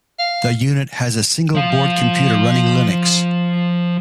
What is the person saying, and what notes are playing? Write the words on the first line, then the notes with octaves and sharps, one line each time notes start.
The unit has a single-board computer running Linux.
F5
F3 F5